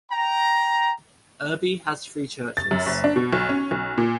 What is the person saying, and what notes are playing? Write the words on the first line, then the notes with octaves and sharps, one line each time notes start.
Irby has three churches.
G5 A#5
A6
F#2
F#1
D4
B2
B1
C#4
B1
A#2